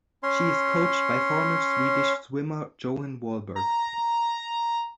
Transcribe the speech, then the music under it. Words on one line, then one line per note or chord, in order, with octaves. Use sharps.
She is coached by former Swedish swimmer Johan Wallberg.
C#4 C#5 C6
A#5